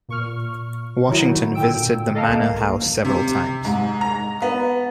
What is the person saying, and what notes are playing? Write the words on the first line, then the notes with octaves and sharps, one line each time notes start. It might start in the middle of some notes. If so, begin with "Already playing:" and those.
Washington visited the Manor House several times.
A#2 C#6 F6
D#3 F#3 D#4 E4 F#4
A#2 D3 G5 E6 D7
A4 D#5 F5 A5 A#5
C2 A#3
C3
G#2
A#5
B3